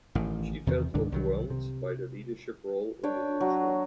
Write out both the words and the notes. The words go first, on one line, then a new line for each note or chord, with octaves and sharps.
She felt overwhelmed by the leadership role in the newsroom.
A1 A2 D#3
E2 C3 D#3
C#2 G#2 D#3 D4
C2 D#3 F#3
C3
D4 C#5 G5
F#3